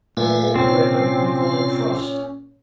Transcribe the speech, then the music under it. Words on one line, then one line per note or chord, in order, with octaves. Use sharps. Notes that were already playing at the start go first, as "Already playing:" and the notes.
In cold weather we call it frost.
A#2 A3 B4 E5 F5
C3 C4 C#4 F4